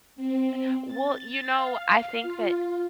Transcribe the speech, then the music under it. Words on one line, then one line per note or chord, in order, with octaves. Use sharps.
Eh Well, you know, I think that
C4
A6
F5
F4